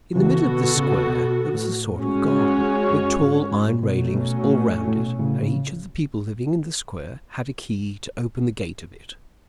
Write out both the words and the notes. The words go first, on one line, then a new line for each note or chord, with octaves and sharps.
In the middle of this Square there was a sort of garden with tall iron railings all round it, and each of the people living in the Square had a key to open the gate of it.
C#3 E3 B3 F#4 A4
B2 D3
A2 C#3
B2
A2
G#3 C#4 F#4 C#5
F#2
G#2
G#2
B2 F#3 A3 C#4
B2
A2
A2
A2
B2
A2 C#3
A2 C#3